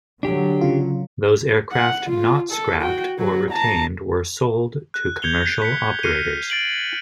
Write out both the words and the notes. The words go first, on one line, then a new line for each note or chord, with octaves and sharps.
Those aircraft not scrapped or retained were sold to commercial operators.
D3 F#3 D4 G4
C#3 F4
F#5
F4
A4
F#4 G5
F#3 F#4
A5 A#5
F#6
G6 G#6 C#7 F7 G7
B6 C#7
F6 F#6 A#6 C7 C#7 D#7
A6 D7 F#7